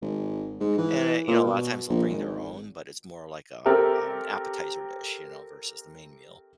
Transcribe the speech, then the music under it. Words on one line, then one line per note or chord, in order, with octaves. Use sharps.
And, eh, you know, a lot of times, they'll bring their own, but it's more like a, um um, appetizer dish, you know, versus the main meal.
G#1
G#2
E3
A#2
B2
A#1
G#1
C4 G4 A4 A#4 E5